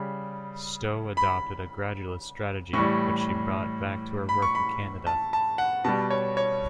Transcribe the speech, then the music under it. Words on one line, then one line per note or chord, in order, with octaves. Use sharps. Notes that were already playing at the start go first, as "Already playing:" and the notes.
Stowe adopted a gradualist strategy which she brought back to her work in Canada.
Already playing: C#3 G3
B5
A2 E3 G3 C#6
B5
C#6
B5
A5
A5
F#5
B2 G3 A5
C#5
C#5